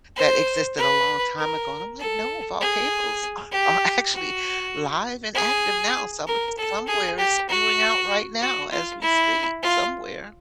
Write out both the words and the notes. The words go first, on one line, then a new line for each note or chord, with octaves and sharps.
that existed a long time ago. And I'm like, "No, volcanoes are are actually live and active now. Some somewhere it's spewing out right now as we speak, somewhere."
C5
B4
A#4
A4
G#4
G4
F#4
G#4
A#4
A4
G#4
G4
F#4
F#4
F4
E4
F4